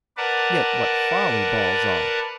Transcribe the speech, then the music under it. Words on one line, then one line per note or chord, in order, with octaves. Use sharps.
Yet what folly balls are!
A#4 B4 D5 F#5 A5